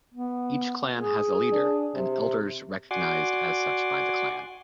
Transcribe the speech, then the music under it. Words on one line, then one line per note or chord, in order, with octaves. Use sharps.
Each Clan has a Leader and Elders recognized as such by the Clan.
B3
G#4
D4
C3
F#4 D5 F#5 G#5 C6 D6